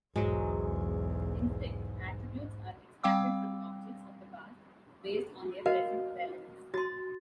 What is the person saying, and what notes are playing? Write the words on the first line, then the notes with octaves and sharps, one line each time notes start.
Instead, attributes are extracted from objects of the past based on their present relevance.
B1 E2 G#2 F#3 G#3
G3 C4 F5 G5 D6 E6
F#4 A#4 D#5 F5
F#4 C6 A6